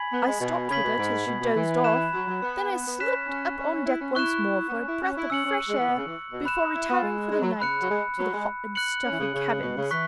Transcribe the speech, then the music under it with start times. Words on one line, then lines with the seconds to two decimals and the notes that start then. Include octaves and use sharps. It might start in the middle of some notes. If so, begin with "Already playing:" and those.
I stopped with her till she dozed off; then I slipped up on deck once more for a breath of fresh air, before retiring for the night to the hot and stuffy cabin.
Already playing: G#5 B5 G#6 B6 F#7
0.12 B3
0.26 G#3
0.40 B2
0.69 C#3 B5 G#6 B6 F#7
0.83 B2
0.98 G#2
1.26 B2
1.41 B2
1.55 E3
1.84 B5 F#6 E7
2.14 F#3
2.28 F#3
2.42 B3
2.71 B3
2.86 B3
2.99 C#4 F#6 B6 E7
3.28 C#4
3.58 C#4
3.86 E4
4.00 C#4
4.15 E4 C#6 F#6 E7
4.67 B3
4.72 C#4
4.87 E4
5.02 C#4
5.16 E4
5.30 C#4 E6 C#7 F#7
5.44 C#4
5.68 G#3
5.77 E3
5.88 B2
5.97 C#3
6.06 E3
6.31 B2
6.45 B5 F#6 E7
6.74 E4
6.88 B3
7.02 G#3
7.31 G#3
7.41 F#3
7.60 C#3 B5 F#6 C#7
7.81 F#3
7.89 G#3
8.18 F#3
8.33 G#3
8.75 F#6 C#7 F#7
9.04 C#4
9.11 E3
9.19 C#3
9.33 C#3
9.62 B2
9.76 C#3
9.91 E3 C#6 F#6 B6